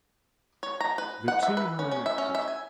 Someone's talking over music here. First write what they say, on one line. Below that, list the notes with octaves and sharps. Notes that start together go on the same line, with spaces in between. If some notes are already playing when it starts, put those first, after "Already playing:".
The two were elected.
C#5
A#5
B4
F#5
E5
B4
C#4
C#4
E5
C#4
E5
G#5